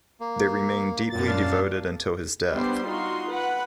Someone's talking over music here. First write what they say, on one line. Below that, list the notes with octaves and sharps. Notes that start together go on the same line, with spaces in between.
They remained deeply devoted until his death.
A#3
F#2 A#2 A6
D4 F5
G3 B3 D4 C5 C6
D#4 F4 F#4 C6
B4 F#5